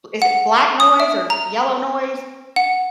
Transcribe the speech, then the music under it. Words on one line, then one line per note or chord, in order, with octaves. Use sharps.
is it black noise or yellow noise, is
F#5
D#6
E5
A#5
F#5